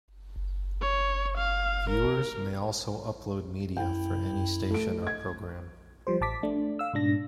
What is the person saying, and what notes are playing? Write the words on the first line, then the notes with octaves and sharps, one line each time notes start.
Viewers may also upload media for any station or program.
C#5
F5
A#4
F#2 E4 G5
A3 D7
D#5 G#6
F3 G3 C5
A1 A5 D6 B6
A3 D4
F5 E6
G#2 B2 D4 A#6